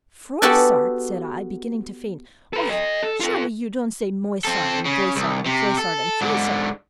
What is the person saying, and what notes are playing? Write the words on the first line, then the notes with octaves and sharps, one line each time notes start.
"Froissart!" said I, beginning to faint, "why, surely you don't say Moissart, and Voissart, and Croissart, and Froissart?"
B3 F#4 G4 A4 D5 G#5
A4 B4
A4 D#5
A4
F4 A4
C4 A4
C#3
C2
C3
A4
G#2 D3